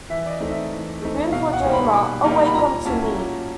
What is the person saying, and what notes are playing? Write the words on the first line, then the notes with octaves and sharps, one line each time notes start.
Beautiful dreamer, awake unto me!
E3 E5
D5
D#5
A3 C4 D#4
E5
E3
A3 C4 D#4
B2 F5
F#5
G3 A#3 D#4
B5
B2 D6
G3 A#3 D#4
B5
A#2 A#5
F#3 A#3 C#4 E4 A5
A#2